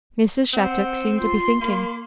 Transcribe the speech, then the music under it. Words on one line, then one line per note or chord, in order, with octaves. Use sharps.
Mrs. Shattuck seemed to be thinking.
C4 F#5
F#5
F4 C6
A#3 A#4